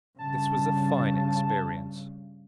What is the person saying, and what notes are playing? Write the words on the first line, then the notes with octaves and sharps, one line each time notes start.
This was a fine experience.
G2 C#3 A5